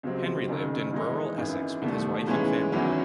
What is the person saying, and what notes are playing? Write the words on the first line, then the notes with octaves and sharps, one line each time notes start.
Henry lived in rural Essex with his wife and family.
C#2 C3 F#3 C4
F#1 F#2 D#3
G#2 E3 G#3 D#4
G#1 F#2 E3
C2 C3 D#3 A3
G#2 E3 G#3 C#4
E2 D#3 F#3 C#4 E4